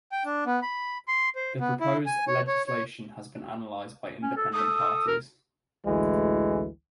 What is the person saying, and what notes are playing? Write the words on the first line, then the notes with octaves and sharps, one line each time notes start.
The proposed legislation has been analyzed by independent parties.
G5
D4
B3
B5
C6
C5
B3
E4
G#5
C#5
C#5
C#5
C#4
A4
A4 D#6
A#4
A1 D2 E3 G#3